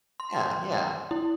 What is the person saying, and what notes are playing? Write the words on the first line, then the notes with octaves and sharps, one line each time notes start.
Yeah, yeah.
C6
E4